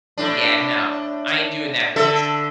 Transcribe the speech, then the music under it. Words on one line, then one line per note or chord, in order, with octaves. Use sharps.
Yeah, no. I ain't doing that place.
A2 D4
D3 A4 E5